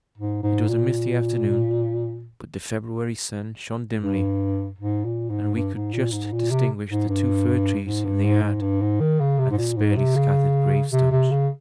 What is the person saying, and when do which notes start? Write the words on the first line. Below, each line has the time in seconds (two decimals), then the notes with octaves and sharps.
It was a misty afternoon, but the February sun shone dimly, and we could just distinguish the two fir-trees in the yard, and the sparely-scattered gravestones.
0.18 G#2
0.43 G#2
0.68 A#2
4.01 G2
4.78 G#2
5.04 A#2
5.30 G#2
5.55 G2
5.74 G#2
5.93 A#2
6.12 G#2
6.32 A#2
6.51 C3
6.90 G#2
7.09 G2
7.86 G#2
8.05 G2
8.24 G#2
8.43 G#2
8.62 G2
8.82 G#2
9.00 D#3
9.20 C#3
9.39 C3
9.51 G#2
9.58 A#2
9.77 G#2
9.97 C3
10.16 C#3
10.93 C3
11.12 C3
11.31 C#3